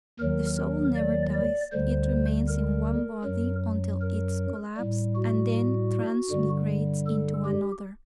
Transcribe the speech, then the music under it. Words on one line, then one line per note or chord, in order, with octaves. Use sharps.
The soul never dies; it remains in one body until its collapse and then transmigrates into another.
D#2 D#3 F#3 A#4
A#4
D5
D5
D2 D3 G3 C5
A#4
F#2 F#3
A#4
A2 G3
F#4
G2 D3 G3
A4
G4